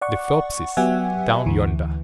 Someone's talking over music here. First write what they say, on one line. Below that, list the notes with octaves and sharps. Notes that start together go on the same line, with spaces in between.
"The Phelpses, down yonder."
D5 F#5 C#6
F#3 B3 G4 E5 F#5 G#5
D2 E3